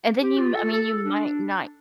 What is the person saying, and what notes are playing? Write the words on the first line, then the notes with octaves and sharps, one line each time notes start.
and then you m I mean, you might not
G4
F4
A4
A4
D4